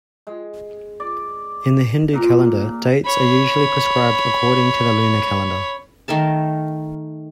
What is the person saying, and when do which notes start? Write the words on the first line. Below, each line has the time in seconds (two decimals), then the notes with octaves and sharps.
In the Hindu calendar dates are usually prescribed according to the lunar calendar.
0.27 G#3
1.00 D5
2.13 A#2 A#4
3.05 C#5 B5
6.08 D#3 A3 A#4 A5